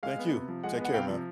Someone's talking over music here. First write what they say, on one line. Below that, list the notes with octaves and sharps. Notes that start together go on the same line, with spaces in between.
Thank you, take care, man
G#3 F5
B3
C3
F3
G#3 F#5
B3
F#5
C3 F5 G5
F3